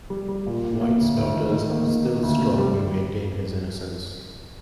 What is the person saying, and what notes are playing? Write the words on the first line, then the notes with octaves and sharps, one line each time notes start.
White's daughters still strongly maintain his innocence.
G3
G3
A#2
A#3
A#3
D2
D2
D#3
D#3
A#3
D#3
A#3
D2
C3
G3